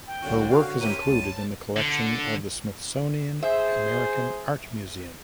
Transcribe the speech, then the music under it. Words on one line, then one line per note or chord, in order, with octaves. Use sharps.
Her work is included in the collection of the Smithsonian American Art Museum.
G5
C2 D3 A#3 C#4 F#4
F#4 F5
C#4 E4 G4 A#4 B4 C6 D#7
C#2 A5
D3
G#4 C5 E5